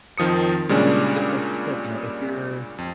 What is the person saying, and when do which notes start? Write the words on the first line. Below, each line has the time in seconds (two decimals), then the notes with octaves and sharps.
just like you said, you know, if you're
0.18 F2 D#3 F3 D#6 C#7
0.69 A#2 C#3 G3 G#3 C#4 D4
2.78 F2